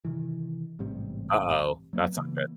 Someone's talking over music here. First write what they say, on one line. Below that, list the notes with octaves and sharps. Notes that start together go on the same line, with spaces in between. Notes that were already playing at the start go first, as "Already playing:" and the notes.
Uh-oh, that's not good.
C3 D#3 E3
A1 G#2 C3 G3
F#3 A#3 B3
C#3 E3 A#3